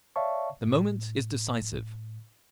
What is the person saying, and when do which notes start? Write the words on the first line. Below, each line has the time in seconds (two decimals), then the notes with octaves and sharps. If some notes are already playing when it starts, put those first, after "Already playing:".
The moment is decisive.
0.16 C#5 D5 E5 F5 A5 C#6
0.67 A2